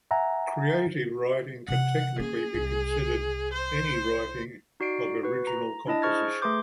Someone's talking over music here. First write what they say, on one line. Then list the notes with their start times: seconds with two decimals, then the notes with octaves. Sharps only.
Creative writing can technically be considered any writing of original composition.
0.11 E5 F#5 G#5 A#5
1.68 C3 E3 F#5
2.19 A#3 C#4 G#4
2.54 C2
3.53 C5
4.80 D#4 F#4 D5 C7 D7
5.23 F#4 B4
5.47 A#5
5.87 D4 E4 D#5 A5
6.02 G#4 C5 C#6 F6 G#6 A6
6.42 A3 G#4 B4 C6 D6 G6